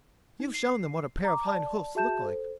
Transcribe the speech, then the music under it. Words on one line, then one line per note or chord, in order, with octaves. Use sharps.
"You've shown them what a pair of hind hoofs look like."
D#4
C7
A#5 D6
D5 A5
F#4 G#4 E5 A5 G6 E7
A4 C5